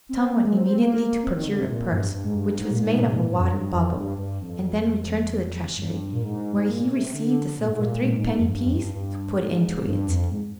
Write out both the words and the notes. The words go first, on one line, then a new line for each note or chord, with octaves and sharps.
Tom went immediately to procure a purse, which was made of a water bubble, and then returned to the treasury, where he received a silver threepenny-piece to put into it.
C4
A#3
G#3
C4
C4
A#3
C4
D#3
D3
C3
G#2
A#2
G2
G2
G#2
G2
G#2
A#2
G#2
A#2
C3
G#2
A#2
G2
F2
G2
F2
G2
G2
F2
G2
A#2
G#2
G#2
A#2
C3
D3
A#2
G#2
A#2
G#2
A#2
G#2
G#2
F2
G2
F2
G2
G2
G#2
G2
F2
G#2